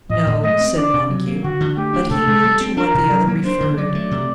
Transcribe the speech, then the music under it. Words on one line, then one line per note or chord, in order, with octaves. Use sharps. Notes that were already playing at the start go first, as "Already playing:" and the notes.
"No," said Montague, but he knew to what the other referred.
A2 D#5
A2
A3 D#5
C4
D4 D5
C3
F#3
A#3
D3 F#4
D3
A3 G4
D4
C3 A4
C3
G3
C4
D4 A#4
C3
F#3
A#3
D4 C5
D3
F#3 D5
A3
C3